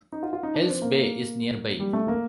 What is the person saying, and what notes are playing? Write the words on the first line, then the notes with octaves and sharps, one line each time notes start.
Hells Bay is nearby.
D#4
F4
F4
D#4
D4
C4
A#3
G3
A3
A#3